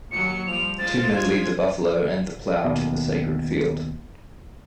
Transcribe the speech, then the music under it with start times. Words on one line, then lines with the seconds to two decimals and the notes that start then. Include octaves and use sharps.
Two men lead the buffalo and the plough to the sacred field.
0.12 D#2 F#3 C#7
0.47 F3 G3 F7
0.79 G#3 F4 C5 A6
1.15 G#6
2.64 D#2 B2